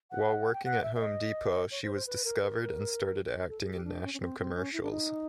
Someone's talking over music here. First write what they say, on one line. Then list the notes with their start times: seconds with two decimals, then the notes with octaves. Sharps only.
While working at Home Depot, she was discovered and started acting in national commercials.
0.11 F#5
0.53 G5
0.65 F#5
0.83 E5
0.96 E5
1.00 D#5
1.71 C#5
1.83 C5
1.95 C5
2.07 B4
2.25 A#4
2.42 A#4
3.49 A4
3.62 G#4
3.73 G4
3.84 D4
4.03 C#4
4.14 C#4
4.20 C4
4.39 C4
4.55 C#4
4.73 E4
4.82 D4
4.91 D#4